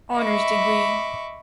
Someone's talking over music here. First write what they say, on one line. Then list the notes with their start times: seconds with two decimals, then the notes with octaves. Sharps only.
Honors degree.
0.15 D#5 E5 B5 C#6 D6